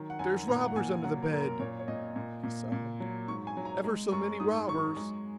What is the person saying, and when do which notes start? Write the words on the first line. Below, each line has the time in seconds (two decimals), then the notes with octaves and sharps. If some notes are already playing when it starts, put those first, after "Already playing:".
"There's robbers under the bed," he sobbed; "ever so many robbers."
Already playing: D#3 F#3
0.10 F#5
0.19 F#2 G#5
0.48 A#2 A#5
0.68 F#5
0.76 A#2 G#5
1.04 F#3 F#5
1.22 A#4
1.32 F#2
1.41 A#4
1.60 A#2 C#5
1.79 C#5
1.88 A#2 D#5
2.16 A#2
2.44 A#2
2.72 A#2
3.00 F#3
3.28 G#2 C#6
3.47 G#5
3.57 F#3
3.65 A#5
3.84 G#3
4.12 F#2 C#6
4.40 G#2 D#6
4.69 F#3 C#6
4.96 G#3